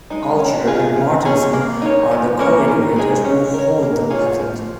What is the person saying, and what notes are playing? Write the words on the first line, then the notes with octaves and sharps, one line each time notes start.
Alger and Martinsen are the co-inventors who hold the patent.
G#3 D#4
C#4
F4 G#4
F3
C#4 G#4
A#3
D#4 C#5
F3
A#3 C#4 A#4 C#5
D#3
G#3 D#4 G#4
C#4
A#4 C#5
A#3
F4 G#4 C#5
F3